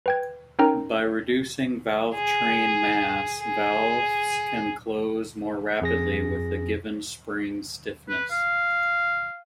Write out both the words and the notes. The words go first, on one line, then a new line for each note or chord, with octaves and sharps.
By reducing valvetrain mass, valves can close more rapidly with a given spring stiffness.
B4 G5 G#6
C#4 D#4 A#4 G5 A#5
G#4
G#4
F2 G#4 A#6
B4
F5